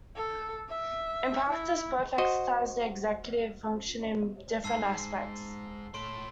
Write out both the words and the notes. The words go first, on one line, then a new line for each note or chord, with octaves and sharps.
In practice, both exercised the executive function in different aspects.
A4
E5
E4
F#4 C5 D#5
G#2 G#3 A5 E6 C7
A3 C#5 C6 D7